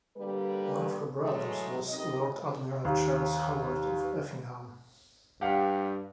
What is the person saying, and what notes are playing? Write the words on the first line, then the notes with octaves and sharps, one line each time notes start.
One of her brothers was Lord Admiral Charles Howard of Effingham.
D3 G3 A#3 B4
E3 F#3 G#3 A3 G#4 C#5
F#2 C3 D#3 D#5
D#2
G2 G4 F5 F#5